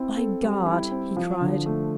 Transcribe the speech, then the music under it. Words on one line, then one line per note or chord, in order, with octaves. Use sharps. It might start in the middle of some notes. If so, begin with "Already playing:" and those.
"By God!" he cried.
Already playing: C4 E4
A4
G3
E4
C4
F3
D3
A3